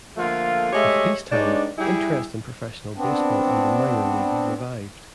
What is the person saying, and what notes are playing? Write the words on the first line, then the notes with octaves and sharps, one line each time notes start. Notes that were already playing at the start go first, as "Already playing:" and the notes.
With peacetime, interest in professional baseball and the minor leagues revived.
D3 F3 A3 A#3 F4
G#3 A3 G4 C#5 D#5 E5
G2 G#3 D4 D#4 C#5 D5
G3 E4 G#4
B3 C4 D4